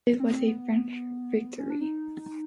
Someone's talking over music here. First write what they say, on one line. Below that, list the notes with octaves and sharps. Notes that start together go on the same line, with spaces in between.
It was a French victory.
C4
B3
C4
B3
C#4
D4
D#4